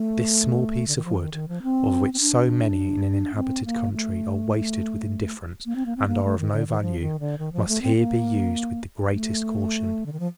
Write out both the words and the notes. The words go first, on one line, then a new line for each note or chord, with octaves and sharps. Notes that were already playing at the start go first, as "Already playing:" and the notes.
This small piece of wood, of which so many in an inhabited country are wasted with indifference and are of no value, must here be used with the greatest caution.
Already playing: A3
D3
D#3
F3
D#3
D#3
F3
C4
C4
D4
C4
A#3
A3
A#3
C4
A#3
C4
A#3
A3
D#3
D3
D#3
F3
D#3
D3
D#3
F3
A3
C4
A#3
A3
D3
D#3
F3